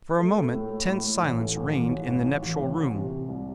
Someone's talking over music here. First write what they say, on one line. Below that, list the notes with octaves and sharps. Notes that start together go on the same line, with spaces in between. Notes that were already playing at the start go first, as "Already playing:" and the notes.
For a moment tense silence reigned in the nuptial-room.
A3
A3
A2
A2
A2
A2
A1
A3
A1
A1
A1
A1
A1
A1
A1
A1
C3
C3
C2